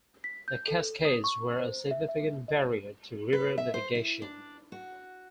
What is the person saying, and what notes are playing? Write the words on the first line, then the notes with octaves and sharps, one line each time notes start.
The Cascades were a significant barrier to river navigation.
B6
G6
A4
D#6
C#6
C5
E5
E5
D#5
B4
E5
C5
E4
D4
F#4